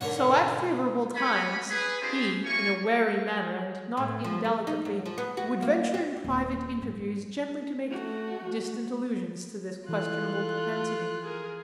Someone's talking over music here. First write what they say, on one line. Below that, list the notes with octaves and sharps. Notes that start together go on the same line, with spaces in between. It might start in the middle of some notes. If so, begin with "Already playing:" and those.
So, at favorable times, he, in a wary manner, and not indelicately, would venture in private interviews gently to make distant allusions to this questionable propensity.
G#2 B2 D3 A4 A#4 C#5 F#5
B3 C#4 G4 G#5 B5
G#4 B4
C4 D4 F4 G4 G#4 C5
A#3 C#4 E4 G#5 C#6
A2
F3
A3
D#4
F#2
F3
B3
F#4
A#3
C4
D#1
G#2
A3 F#4
E3 F4 A4 F#6
G#4 A#4